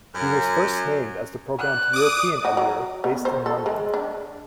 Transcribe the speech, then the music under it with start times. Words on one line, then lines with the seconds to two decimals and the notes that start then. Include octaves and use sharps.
He was first named as the program's European editor based in London.
0.14 F#2
1.58 D5 F#6
1.93 D6 D#6
2.45 F#4
2.57 F#3
3.04 B3
3.25 C5
3.46 A4
3.66 G#3
3.94 D4